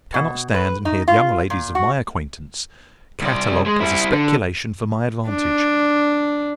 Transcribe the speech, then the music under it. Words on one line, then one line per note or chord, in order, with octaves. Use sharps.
I cannot stand and hear the young ladies of my acquaintance catalogued as a speculation for my advantage.
B2
B4
D#4
F4
A#2
F#4
C2 D5
G#3
G3 E4
D3
D4